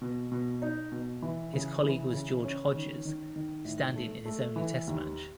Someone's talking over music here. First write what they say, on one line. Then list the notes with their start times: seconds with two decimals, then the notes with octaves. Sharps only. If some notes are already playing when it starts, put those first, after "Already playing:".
His colleague was George Hodges, standing in his only Test match.
0.01 B2
0.32 B2
0.62 D#4
0.92 B2
1.22 E3
1.53 C#3
1.84 E3
2.13 C#3
2.44 C#4
2.75 D#3
3.05 D#3
3.36 D#3
3.65 A2
3.95 A3
4.25 A3
4.56 E3
4.87 D#2